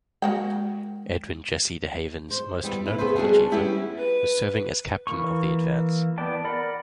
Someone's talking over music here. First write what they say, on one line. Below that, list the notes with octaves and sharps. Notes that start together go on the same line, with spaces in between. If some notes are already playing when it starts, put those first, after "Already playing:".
Edwin Jesse De Haven's most notable achievement was serving as captain of the "Advance".
G#3 A#3 F#4 G5
C5
G3 B3 E4
E4 B4
A3 B3 G#4 B4 C5
G3 D4 F#4 G#4
G3 B3 C#4 E4 G4
B4
E3 A#3 C#6
B3 D5 G5 A5
A#4 D5 F#5 B5